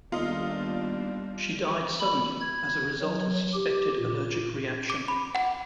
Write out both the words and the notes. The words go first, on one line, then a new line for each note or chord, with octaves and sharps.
She died suddenly as a result of suspected allergic reaction.
D#2 G3 B3 D4 F4 D#5
B5
G#6
F#3
G4
A#2
D6
B5
F#5